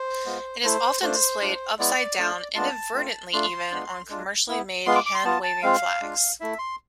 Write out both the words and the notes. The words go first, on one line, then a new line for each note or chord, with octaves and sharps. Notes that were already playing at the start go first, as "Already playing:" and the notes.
It is often displayed upside down inadvertently-even on commercially-made hand waving flags.
Already playing: C5
G#3 B3 F4
A3 E4 C5
A3 D4 F4 C5
G#3 D4 F4
G#3 B3 E4 D5
A3 D4 F4
G#3 B3 D4 F4 A5
A3 C4 F4
A3 D4 F4 C6
G#3 B3 D4 F4
G#3 D4 F4
B3 E4
G#3 B3 F4 C6
D6
D6
C6
B3 F4 A5
A5
G#3 C4 F4 F5
G#3 D4 F4
A3 E4 E5
C6